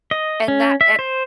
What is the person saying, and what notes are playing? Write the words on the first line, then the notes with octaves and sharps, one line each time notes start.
And that and
D#5
C#4
E5
C5